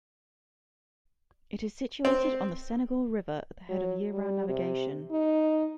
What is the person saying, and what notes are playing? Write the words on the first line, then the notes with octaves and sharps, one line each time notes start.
It is situated on the Senegal River at the head of year-round navigation.
C4
F#3
G3
C3
D#4